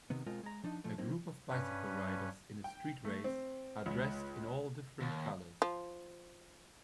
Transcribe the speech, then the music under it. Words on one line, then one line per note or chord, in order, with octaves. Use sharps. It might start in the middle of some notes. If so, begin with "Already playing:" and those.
A group of bicycle riders in a street race are dressed in all different colors.
C3 D#3 B3
B2 G#3 C4 F4 A#4
G#3 A#5
F3 D4 D#4
A#2 F3 A3
F#3 A#3 C4 D#4
G2 C#4 B4
G5
A3
C4
C#2
D#2
F3